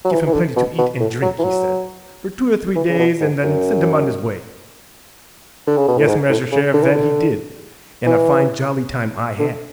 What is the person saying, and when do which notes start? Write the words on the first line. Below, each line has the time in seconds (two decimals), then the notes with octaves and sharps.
'Give him plenty to eat and drink,' he said, 'for two or three days, and then send him on his way.' Yes, Master Sheriff, that he did, and a fine jolly time I had.
0.05 F#3
0.12 E3
0.26 E3
0.33 D3
0.56 B2
0.78 B2
1.00 A2
1.22 F#3
1.39 E3
1.44 F#3
2.76 E3
2.89 C#3
2.99 B2
3.20 G#2
3.43 F#2
5.67 D3
5.78 C#3
5.88 B2
5.98 A2
6.08 G#2
6.30 A2
6.52 C#3
6.74 D3
6.83 E3
6.92 D3
8.06 E3
9.40 D3